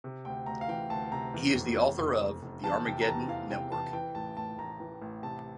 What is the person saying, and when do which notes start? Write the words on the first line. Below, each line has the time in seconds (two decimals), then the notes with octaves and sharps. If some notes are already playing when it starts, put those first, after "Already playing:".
He is the author of "The Armageddon Network".
0.04 C3
0.25 D2 G5
0.46 D2 A#5
0.61 F5
0.68 E3 G5
0.90 D2 A5
1.12 C3 A#5
1.34 E2
1.55 F1
1.77 E2
1.99 F1
2.21 F1
2.42 F1
2.64 E2 A5
2.85 C3 G5
3.01 A#5
3.06 E2 A5
3.28 E3 F5
3.50 C3 G5
3.71 E3 A5
3.93 E3 G5
4.15 A1 A5
4.37 A2 A5
4.58 A1 A#5
4.80 E3
5.02 A1
5.23 C3 A5